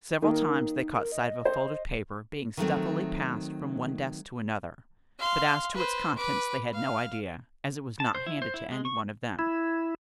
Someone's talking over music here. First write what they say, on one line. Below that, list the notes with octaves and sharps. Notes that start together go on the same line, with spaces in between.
Several times they caught sight of a folded paper being stealthily passed from one desk to another, but as to its contents they had no idea, as it was not handed to any one of them.
D#3 A#3 D#4
A#4
D#5
C5
D#3 F#3 A3 C4
F5 C6
B4 C5
B4 D6
F5
A5
C5
E4
C5
E4
G#3
C#6
E4